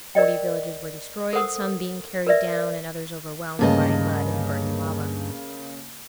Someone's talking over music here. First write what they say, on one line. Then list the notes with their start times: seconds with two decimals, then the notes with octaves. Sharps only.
Forty villages were destroyed, some being carried down and others overwhelmed by mud and burning lava.
0.15 A#4 D5 D#5 G5
1.33 A4 A#4 C5 F#5 D#6 E6
2.27 A#4 B4 D5 E5
3.59 D2 G2 C#3 A#3 D#5